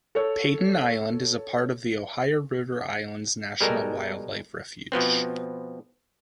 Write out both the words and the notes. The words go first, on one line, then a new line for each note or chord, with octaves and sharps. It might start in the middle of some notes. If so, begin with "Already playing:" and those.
Paden Island is a part of the Ohio River Islands National Wildlife Refuge.
A4 C#5
B2 G3 G#3 A4 A#4
B2 F3 B3 C4